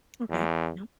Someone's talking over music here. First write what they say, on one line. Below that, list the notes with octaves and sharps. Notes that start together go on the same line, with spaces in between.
Okay, yep.
E2